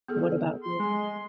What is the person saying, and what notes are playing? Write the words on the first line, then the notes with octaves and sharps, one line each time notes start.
what about you?
B3 G#4 A4
C6
G#3